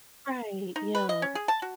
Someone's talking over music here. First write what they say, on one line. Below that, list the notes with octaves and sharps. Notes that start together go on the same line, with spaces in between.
Right, yeah.
D#4
B4
D#5
C#4
G#4
A5
F#4